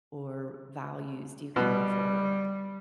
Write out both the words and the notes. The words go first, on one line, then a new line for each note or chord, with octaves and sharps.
or values do you carry forward?
B2 G3